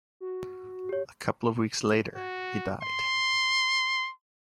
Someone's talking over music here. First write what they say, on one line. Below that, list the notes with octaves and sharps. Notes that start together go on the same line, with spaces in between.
A couple of weeks later, he died.
F#4
G4 C#5
F#4
C6